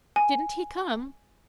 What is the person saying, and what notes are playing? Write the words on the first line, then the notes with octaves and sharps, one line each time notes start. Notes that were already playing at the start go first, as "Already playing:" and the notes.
"Didn't he come?"
G#5